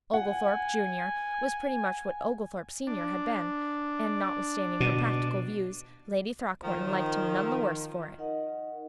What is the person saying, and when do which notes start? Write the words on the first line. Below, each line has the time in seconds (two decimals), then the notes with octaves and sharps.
Oglethorpe, junior, was pretty much what Oglethorpe, senior, had been, and notwithstanding her practical views, Lady Throckmorton liked him none the worse for it.
0.14 F#5 G#5
2.87 D4
4.80 B2
6.64 D#3 F3
8.18 D#4 A#4 D#5 F#5